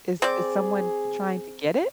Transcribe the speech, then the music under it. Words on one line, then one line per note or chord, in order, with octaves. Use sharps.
Is is someone trying to get it?
C4 G#4 D5